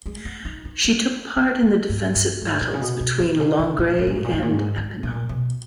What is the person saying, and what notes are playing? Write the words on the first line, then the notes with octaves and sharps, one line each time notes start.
She took part in the defensive battles between Langres and Epinal.
G#3
B3
D#4
D#4
C#4
B3
E3
G#2
G2
G#2
A#2
C#3
B2
B2
C#3
B2
C#3
C#3
A#2
G#2
A#2
G#2
A#2
G#2
A#2
G#2
G#2
A#2
B2